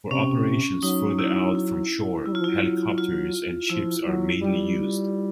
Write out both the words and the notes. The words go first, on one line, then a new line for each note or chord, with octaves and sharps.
For operations further out from shore helicopters and ships are mainly used.
C3 C#4
F#3 D#4
E4
E4
G3 E4
F#3 F4
F3
F#3 E4
F4
F3 E4
F#3
G3